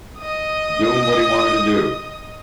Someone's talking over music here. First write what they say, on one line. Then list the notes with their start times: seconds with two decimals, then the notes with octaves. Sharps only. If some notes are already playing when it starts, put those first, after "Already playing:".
Doing what he wanted to do.
0.18 D#5 D#6